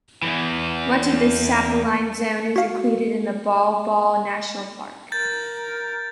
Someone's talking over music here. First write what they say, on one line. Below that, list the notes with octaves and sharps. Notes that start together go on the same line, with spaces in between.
Much of this subalpine zone is included in the Baw Baw National Park.
E2 G#2 E3
F#4 F5
A#4 G6 A6